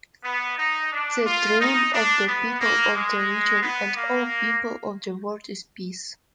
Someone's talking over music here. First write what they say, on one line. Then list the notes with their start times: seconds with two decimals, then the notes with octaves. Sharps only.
The dream of the people of the region and all people of the world is peace.
0.23 B3
0.58 D#4
0.92 D4
1.25 F4
1.59 D#4
1.93 D4
2.27 B3
2.60 A#3
2.94 G#3
3.61 B3
3.96 A#3